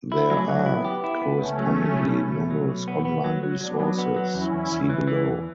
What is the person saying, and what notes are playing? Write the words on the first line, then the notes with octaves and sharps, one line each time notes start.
There are, correspondingly, numerous online resources; see below.
E4
F#3 A3 C#4
F#3
B3 E4
G4
E4
B3
C#2 A3 C#4
F#3
F#3
B2
B2
A3
F#3
B2
B3
B3
F#3
F#3
F#3 B3 D4
F#3
B3
F#3
E2 C#4 E4
E2
E2
E3
E3
E2